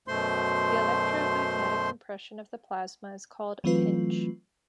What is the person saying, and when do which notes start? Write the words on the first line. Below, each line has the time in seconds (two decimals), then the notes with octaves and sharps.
The electromagnetic compression of the plasma is called a "pinch".
0.08 F#2 B2 A3 C5 C6
3.64 E3 F#3 A3 C4 F4 B4